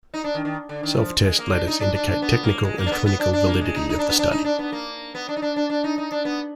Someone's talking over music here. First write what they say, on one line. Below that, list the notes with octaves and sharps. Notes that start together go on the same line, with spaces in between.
Self-test letters indicate technical and clinical validity of the study.
D#4
D4
D#3
D#3
D3
D#3
F3
G#3
A#3
D4
D#4
D4
D4
D4
B3
A#3
G#3
A#3
D4
B3
B3
D4
D4
A#3
G#3
D#4
D#4
D4
B3
D4
D#4
D4
B3
A#3
B3
D4
D#4
D4
D4
D4
D#4
D#4
D4
B3